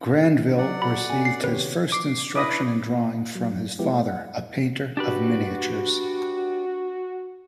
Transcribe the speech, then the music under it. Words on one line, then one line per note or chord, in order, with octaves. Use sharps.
Grandville received his first instruction in drawing from his father, a painter of miniatures.
F#3 D5 F#5
F#4 A4 B5
B3 C#4 G#5
C7
C3 D#3 G4 B4 C#5
D6 C7
D4 E4 B4 D6 D#6 A#6
A#2
F#3
F3 G#3 B3 E4 G4
A3
F#5
D4 F#4 G4 B4